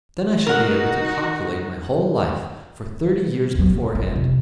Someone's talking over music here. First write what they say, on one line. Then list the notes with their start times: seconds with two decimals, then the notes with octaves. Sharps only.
Then I should be able to calculate my whole life for thirty years beforehand.
0.47 D#4 F#4 A#4 F#5
3.54 D#2 F#3
3.72 B2
3.95 F4
4.16 C3